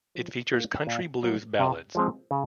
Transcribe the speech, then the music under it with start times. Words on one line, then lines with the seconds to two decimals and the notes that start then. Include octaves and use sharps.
It features country blues ballads.
0.15 F3
0.51 A#3 F4
0.87 A#2
1.23 F#3 A#3
1.59 C3
1.95 F3 G#3 C4
2.31 C#3